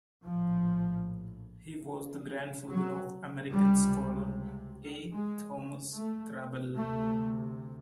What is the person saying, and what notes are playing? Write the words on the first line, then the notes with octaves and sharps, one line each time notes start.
He was the grandfather of American scholar A. Thomas Kraabel.
A#1 A2 F3
F#3
C#2 C3 G3
G#3
A3
D2 C3 A3